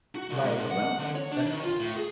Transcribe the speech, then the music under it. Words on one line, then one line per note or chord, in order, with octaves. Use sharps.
Right. Well, that's
F#4
C2
G#2
G#2
F#5
D3
C#5
D4
D#3
F4
A2
G#4